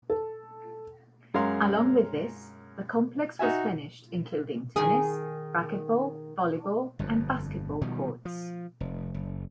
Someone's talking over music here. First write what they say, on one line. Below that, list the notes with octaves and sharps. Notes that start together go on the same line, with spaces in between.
Along with this, the complex was finished including tennis, racquetball, volleyball, and basketball courts.
A4
F#2 G#3 C#4 A#4 F5 C6
D#4 F#4 E5 G#5
D#3 G#4
G1 F2
B2 D#3 F3 G3
F3
F1
F#1